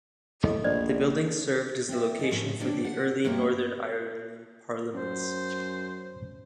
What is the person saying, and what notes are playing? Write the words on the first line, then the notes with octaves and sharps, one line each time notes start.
The building served as the location for the early Northern Ireland Parliaments.
A2 A4 D#5
A#1 C5 D5 D#5
C4 F4 D5 E5
D#4 G#4
A2 F3 A3 C#4
D2 D4 G4 C#5 D5
D5 F#5
G2 A#3 C4 C5 C#5 E5
F#2 C5